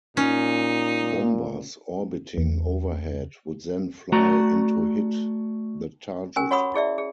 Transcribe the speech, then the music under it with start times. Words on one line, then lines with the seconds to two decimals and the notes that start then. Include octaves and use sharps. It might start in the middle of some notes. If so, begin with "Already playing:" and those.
Bombers orbiting overhead would then fly in to hit the target.
0.17 A#2 C#4 D#4
2.38 E2
4.12 A3 F#4 D5 A#5
6.36 C#4 G4 A#4 G#5
6.51 F#4 C#5 F#5 B5 C#6 D#6
6.74 E4 G#4 D5 E5
6.98 G#4